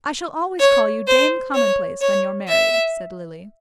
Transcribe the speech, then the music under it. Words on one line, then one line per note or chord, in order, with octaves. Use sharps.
"I shall always call you Dame Commonplace when you're married," said Lily.
C#5
C5
C#5
C#5
E5